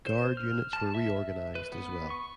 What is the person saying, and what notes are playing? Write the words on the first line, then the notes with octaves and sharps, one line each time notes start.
Guard units were reorganized as well.
C5
F6
A5
E5
B4
B3
C#6